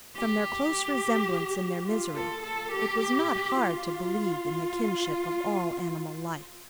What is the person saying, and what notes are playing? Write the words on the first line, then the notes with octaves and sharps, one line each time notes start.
From their close resemblance in their misery, it was not hard to believe in the kinship of all animal life.
G4
F4
A4
A4
G4
F4